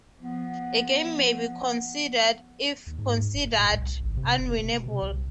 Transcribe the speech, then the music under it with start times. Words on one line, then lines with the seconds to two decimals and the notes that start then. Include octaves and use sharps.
A game may be conceded if considered unwinnable.
0.20 F3 B3
2.87 D#2
2.99 G#2
3.34 F#1
3.58 A2
3.70 C2
4.02 G#1
4.17 C3
4.39 F1
4.59 B2
4.86 C3
5.02 C2